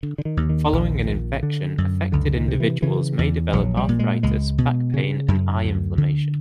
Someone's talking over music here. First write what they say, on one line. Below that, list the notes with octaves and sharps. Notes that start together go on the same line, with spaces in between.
Following an infection, affected individuals may develop arthritis, back pain, and eye inflammation.
D3
D3
D#3
D#2
D#3
A#1
A#2
D3
F#2
C#2 D3
D#3
C3
E3
C#3 E3
E2
A#1 F#3
G3
A#2
G#3
C#2 G#3
B2
C#3
F#2
D2
D3